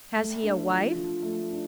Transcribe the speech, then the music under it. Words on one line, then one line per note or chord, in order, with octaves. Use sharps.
"Has he a wife?"
A3
D4
F3
F3
A3
D4